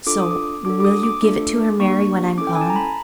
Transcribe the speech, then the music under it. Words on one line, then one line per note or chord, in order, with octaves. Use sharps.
So, will you give it to her, Mary, when I'm gone?
D4 F4 A4 D6
D#6
D6
D4 F#4 A4 D6
D6
D#6
D6
A3 D4 F4 A4
A#3 D4 G4 C#6
C#4 E4 A4 D6
G5
G#5
A5
A#5
B5